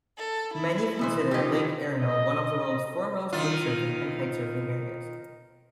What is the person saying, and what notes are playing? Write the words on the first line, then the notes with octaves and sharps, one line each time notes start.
Many consider Lake Arenal one of the world's foremost windsurfing and kite surfing areas.
A4
E4
B2 E3 C5
D#3 F3 G4 D#5
D#5
D#3 F4